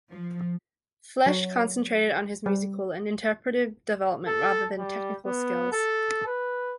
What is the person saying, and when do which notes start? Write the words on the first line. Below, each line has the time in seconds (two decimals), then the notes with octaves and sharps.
Flesch concentrated on his musical and interpretative development rather than technical skills.
0.11 F3
1.26 F#3
2.46 G3
4.27 A4
4.78 G3
5.26 B3
5.72 A4
6.26 B4